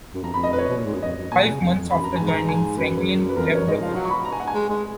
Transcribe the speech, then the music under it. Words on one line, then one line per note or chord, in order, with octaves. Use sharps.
Five months after joining, Franklin left the group.
F#2
F2 A#5
F2 B5
D#5
B4
C#5
B2
A#2
G#2
F#2
F2 D#5
F#2
A#2 G#5
B2
A#2
C#3
F2
F2
F2 B5
F#2
A#5
F#2
G#2 G#5
A#5
G#5
F#2 B4
G#4
B4
F2 A#4
F#2 C#5
G#2 D#5
F3 F5
F#3 F#5
C#6
B5
A#5
G#5
F#5
G#5
G#3
G#3